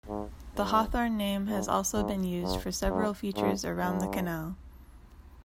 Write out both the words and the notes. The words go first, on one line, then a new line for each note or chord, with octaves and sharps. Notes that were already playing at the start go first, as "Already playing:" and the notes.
The Hawthorne name has also been used for several features around the canal.
G#2
G2
G#2
G#2
F#2
F#2
G#2
G2